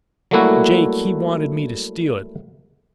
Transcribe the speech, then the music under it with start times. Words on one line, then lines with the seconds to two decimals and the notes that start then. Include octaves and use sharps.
Jake, he wanted me to steal it.
0.31 F#3 G3 A3 A#3 E4 F#4